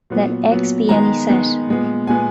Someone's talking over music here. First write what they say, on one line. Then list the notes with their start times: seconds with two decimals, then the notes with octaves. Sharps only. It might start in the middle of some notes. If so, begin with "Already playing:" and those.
Let "X" be any set.
0.10 A#2 F#3 B3
0.50 A#2 F#3 B3
0.89 D#3 G#3 B3 A#5
1.29 D#3 G#3 B3
1.68 A#2 G#3 B3
2.07 A#2 G#3 B3 G#5